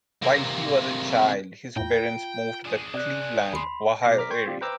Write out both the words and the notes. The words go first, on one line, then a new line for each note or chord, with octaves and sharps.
While he was a child, his parents moved to the Cleveland, Ohio area.
C3 A#3
E2 A2 F4 G5
D4 G#4
C3 D5 F#6
D#2 B5 C6 C7
B2 D6 A#6
A#5 D6 F6 B6
G5 C6 C#6 G6 G#6
C4 F4 G4 D5
B4 C5 G5 A#5 D6 E6